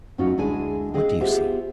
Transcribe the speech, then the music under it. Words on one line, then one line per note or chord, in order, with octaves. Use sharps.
"What do you see?"
F#2 C#4 D#4 F4 F#4
D2 G#3 D4 E4 G#4 G#5
C4 G#4 D#5 F5
B3 F4 G4 G#4 C5 E5